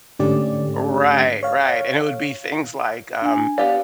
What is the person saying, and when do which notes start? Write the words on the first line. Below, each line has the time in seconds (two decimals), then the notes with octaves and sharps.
Right, right, and it would be things like, um,
0.19 G#2 D3 A3 C#4 G4 D5
1.43 C#5 F5
3.22 D4 G#5
3.58 B3 G4 D5 F5